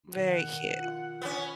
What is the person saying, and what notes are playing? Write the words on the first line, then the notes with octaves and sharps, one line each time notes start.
Very cute.
B2 D#3 F#5
F4
B3 C#4